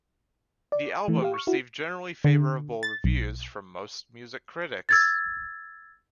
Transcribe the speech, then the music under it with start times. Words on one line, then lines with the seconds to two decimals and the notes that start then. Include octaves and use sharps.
The album received generally favorable reviews from most music critics.
0.72 D5
0.95 G#5
1.08 E3 A3
1.22 G4 F5
1.34 C#6 F6
1.47 E4 F#4
2.24 D3
2.83 A6
3.04 B1
4.89 E6 G#6 A6